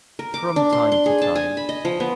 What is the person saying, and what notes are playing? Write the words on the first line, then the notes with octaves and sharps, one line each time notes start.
From time to time.
A#4
D6
D4
C6
C6
G#4
A5
G#5
B5
D#5
F3
B3